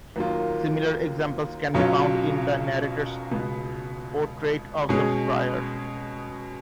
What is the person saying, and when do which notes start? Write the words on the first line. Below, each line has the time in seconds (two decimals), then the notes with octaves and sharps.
Similar examples can be found in the narrator's portrait of the friar.
0.16 D#2 D#3 F#3 A#3 F4
1.74 B1 B2 F#3 C#4 F4
3.31 C#2 B2 G#3 B3
4.89 B2 G#3 C#4 G#4